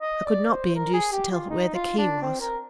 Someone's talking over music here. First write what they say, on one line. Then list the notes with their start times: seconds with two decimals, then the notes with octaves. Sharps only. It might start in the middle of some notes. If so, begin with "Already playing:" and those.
I could not be induced to tell where the key was.
0.01 D#5
0.26 D5
0.50 C5
0.75 A#4
0.93 G#4
1.12 G4
1.31 F4
1.49 D#4
1.74 F4
1.98 D4
2.22 C4
2.40 A#4